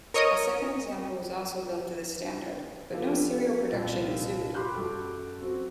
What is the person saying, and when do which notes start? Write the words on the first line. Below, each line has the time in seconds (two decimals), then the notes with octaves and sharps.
A second example was also built to this standard, but no serial production ensued.
0.14 A#4 C#5 D#5 C#6 D#6
2.91 F3 B3 F4 G4 A4
3.71 C2 A#2 F5
4.54 G4 B5 C6 D6 F#6 G6
4.75 F#2 F#4 A4 D6
5.41 C4 F#4